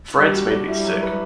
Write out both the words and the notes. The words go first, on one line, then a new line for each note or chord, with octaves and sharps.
France made me sick.
G3 D4
F#4
D4
G3 E4
F#3
B4